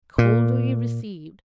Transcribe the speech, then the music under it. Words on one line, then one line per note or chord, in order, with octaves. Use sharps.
Coldly received.
A#2